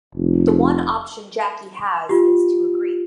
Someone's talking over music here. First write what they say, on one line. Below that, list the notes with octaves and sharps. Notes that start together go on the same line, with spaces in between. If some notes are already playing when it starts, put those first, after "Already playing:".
The one option Jackie has is to agree.
F1
F4 G4